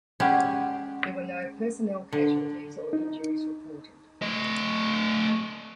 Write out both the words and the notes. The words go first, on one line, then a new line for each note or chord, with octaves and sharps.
There were no personnel casualties or injuries reported.
G#3 C#4 G4 D5 F#5 B5
D3
D#4
A3 D#5